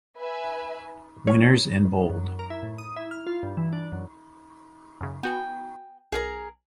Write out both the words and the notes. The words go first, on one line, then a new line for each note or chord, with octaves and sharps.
Winners in Bold.
B4 E5 G#5
C#5
F#2
A#4
E4
A2
D#6
E4
F6
F4
G2
E3
D4
F#2
F#2 C#3
B3 F#4 G5 G#5
B1 G#4 A#4 A#5